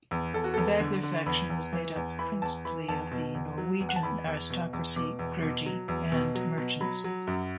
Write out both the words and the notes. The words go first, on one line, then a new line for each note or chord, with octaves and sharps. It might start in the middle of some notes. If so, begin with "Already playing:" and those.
The Bagler faction was made up principally of the Norwegian aristocracy, clergy and merchants.
E2
E2 A4
F#4
E2 A4
D3
D3
E2 B5
E2
E3
E2
E3 B5
E2 A5
E3 B5
E2 A5
B2
E2
F#3
E2
F#5
A5
E2 B5
E2
B2
E2
B2 D6
E2
B2
F#3
E2
B2
F#3
B2
F#3 B5
F#3
F#2